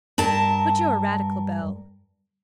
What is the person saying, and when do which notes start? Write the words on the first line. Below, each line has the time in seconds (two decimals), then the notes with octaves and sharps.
But you're a radical, Bell.
0.18 G2 A#4 A5